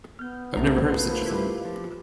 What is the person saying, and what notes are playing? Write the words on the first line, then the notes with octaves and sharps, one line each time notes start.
I've never heard of such a thing.
B3 F6 G6
B1 A3 A#3 D4 A#5
A3 A#3 F4 B4 C5
E4 G4
F3